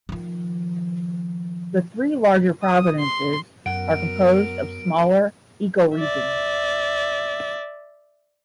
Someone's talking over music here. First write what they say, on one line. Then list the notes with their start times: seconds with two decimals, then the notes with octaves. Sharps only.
The three larger provinces are composed of smaller ecoregions.
0.09 D#3 F3
2.62 D#6
2.99 C6
3.66 F#2 F#3 B3 A#4 F#5 D7
5.96 D5 E5